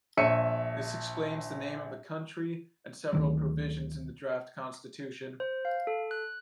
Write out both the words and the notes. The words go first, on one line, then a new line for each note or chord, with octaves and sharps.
This explains the name of the country and several provisions in the draft constitution.
A#1 C#5 E5 C#7 D#7
D2 D#3 F#3
C5
F5
A4
F#6